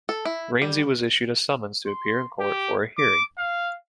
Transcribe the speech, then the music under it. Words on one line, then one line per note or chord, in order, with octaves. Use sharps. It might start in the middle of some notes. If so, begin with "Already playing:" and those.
Rainsy was issued a summons to appear in court for a hearing.
A4
E4
G3
C6
G4
D6
F5